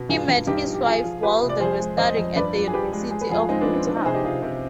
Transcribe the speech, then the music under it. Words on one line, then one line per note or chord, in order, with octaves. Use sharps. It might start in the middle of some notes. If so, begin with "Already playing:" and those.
He met his wife while they were studying at the University of Utah.
Already playing: B2
G2 F4 G#4
G2
G2 D#4 G4
F3
G4
F3 F4 G#4
F3
F3 G4 B4
C3
D5
F2 G#4 C5
G#3
F2 C5 D#5
F2
G2 B4 D5
F3
G#4
F3 G4 B4
G#3
G#3 G#4
B4
F2 F4 G#4
F4
G#3 C4 D#4
B3 D4
F3
C4
F3 B3 D4
C4 D#4
C3 G#4 C5
D#4 G4
C3 F4 G#4
C3